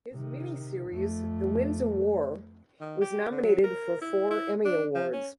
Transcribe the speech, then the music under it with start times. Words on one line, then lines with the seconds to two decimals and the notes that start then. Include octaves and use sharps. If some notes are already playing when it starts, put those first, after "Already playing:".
His miniseries "The Winds of War" was nominated for four Emmy Awards.
0.13 C3 D#3
0.90 F2 A3
2.80 D#3
3.01 G4
3.31 D3
3.44 F#3
3.64 A#4
4.01 E4
4.31 E4
4.65 D4
4.95 F3
5.13 C#4